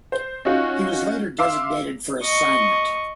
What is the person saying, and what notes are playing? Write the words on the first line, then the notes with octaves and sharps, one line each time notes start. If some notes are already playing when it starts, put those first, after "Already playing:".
He was later designated for assignment.
C5
C#4 D#4 F4 F#4
E5 F5 C6 D6 E6
D#5 C#6